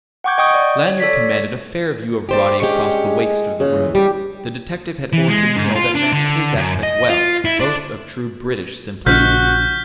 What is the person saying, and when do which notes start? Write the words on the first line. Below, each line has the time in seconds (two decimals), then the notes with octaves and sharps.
Lanyard commanded a fair view of Roddy across the waist of the room. The detective had ordered a meal that matched his aspect well--both of true British simplicity.
0.24 F#5 G5 C#6 D6 G6 G#6
0.38 D#5 G5 C#6 D#6 G6
0.54 D5
0.86 C#5
1.00 A4 C#5 D5 B6
2.29 G4 C5 D5
2.62 G#3 C#4 D4 G4
3.60 A#2 C#3 E3
3.95 G3 D4 G4
5.13 E3
5.28 G#3
5.57 G#2
5.75 F4
5.95 D4
6.13 D3
6.56 F#2
6.83 D#5
7.09 F4
7.45 E4
7.60 D4
9.06 A#1 C#3 F3 D#4 F#4 F6 G6 B6